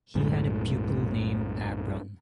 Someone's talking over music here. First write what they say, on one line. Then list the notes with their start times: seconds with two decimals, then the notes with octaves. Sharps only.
He had a pupil named Abron.
0.15 B1 F#2 A2 G#3